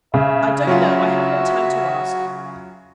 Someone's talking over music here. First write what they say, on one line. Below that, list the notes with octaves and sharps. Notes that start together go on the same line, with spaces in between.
'I don't know,--I have no time to ask.
C#3 E5
F#3 C#4 F4 F#4 E5